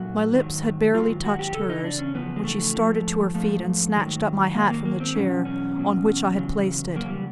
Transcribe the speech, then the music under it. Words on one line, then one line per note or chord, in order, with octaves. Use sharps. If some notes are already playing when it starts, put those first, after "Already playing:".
My lips had barely touched hers, when she started to her feet and snatched up my hat from the chair on which I had placed it.
Already playing: A#2 F#3 F#4
G#2 D#3 F#3
G#2 D#3 F#3 F4
F#4
G4
E2 C#3 A4
D#4
D4
C#4
E2 C#3 F3 B3
G#3
A3
G#2 F3
G#2 F3 A3
G#2 D#3 F#3
G#2 D#3 F#3 A#3
A#3
A#3
C4
E2 B2 F#3 C#4
C#4
E2 B2 F#3
E2 C#3 F#3
E2 C#3 F#3 A#3
G3